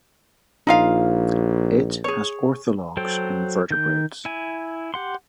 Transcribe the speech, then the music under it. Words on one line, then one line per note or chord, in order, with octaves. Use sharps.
It has orthologs in vertebrates.
A#1 D#4 F4 F5
G#4 C#5
F#3 A4 C5 G5
D#3 G6
E4 G#5
G4 F#5 C6